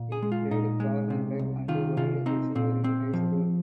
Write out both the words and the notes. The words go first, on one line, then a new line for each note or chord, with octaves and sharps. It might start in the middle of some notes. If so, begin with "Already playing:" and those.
He played cornerback and wide receiver in high school.
Already playing: A#2
G#4
G#3
F4
A#2 D#4
G#3
C3
C2
D#3 F4
C3 F4
C4 D#4
A#2 C4
C4
F3